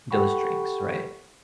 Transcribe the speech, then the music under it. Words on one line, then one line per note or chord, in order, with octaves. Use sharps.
those drinks, right?
G4 A4 F#5 G5 B5 C#6